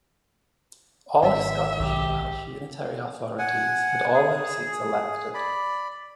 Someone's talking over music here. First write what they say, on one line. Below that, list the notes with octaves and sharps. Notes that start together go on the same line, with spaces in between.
All Scottish and Welsh unitary authorities had all their seats elected.
G#1 E5
B1 D#3 G4
F#5 G#5
G#4
D5 B5